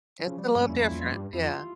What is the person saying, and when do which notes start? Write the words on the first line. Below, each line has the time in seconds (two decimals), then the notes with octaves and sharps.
It's a little different, yeah.
0.19 E3
0.27 C#3 F3
0.38 G3
0.48 A#3
0.55 G2 C#4
0.69 F2 E4
0.80 F2 E4
0.91 E2 F4
1.01 F2 F4
1.12 G2 G4
1.33 F2 E4
1.43 F4
1.54 F4